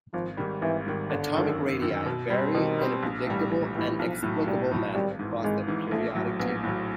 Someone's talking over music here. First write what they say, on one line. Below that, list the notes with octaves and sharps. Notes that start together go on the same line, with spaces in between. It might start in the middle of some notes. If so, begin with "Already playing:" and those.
Atomic radii vary in a predictable and explicable manner across the periodic table.
G#1 F3
G#2 D#3 G3
G#1 E3
G#2 D#3 G3
G1 D3
F#2 D#3
G1
F#2 D#3
B2
G3 C4
B2 D#3
G3 C4
A#1
A2 E3 G3
A#1
A2 E3 G3
B1 F3
A2 F#3
B1 G3
A2 F#3
G#1 G3
G#2 E3
G#1 G#3
G#2 E3
A#1 A3
A2 F#3
A#1 B3
A2 F#3